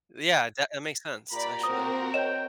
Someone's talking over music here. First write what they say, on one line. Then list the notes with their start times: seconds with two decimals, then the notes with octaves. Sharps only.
Yeah, that that makes sense, actually.
1.32 A#2 G4 D5 A#5 B5
1.63 C4 F#4 A#4 D#6
2.14 C#5 D#5 G5 E7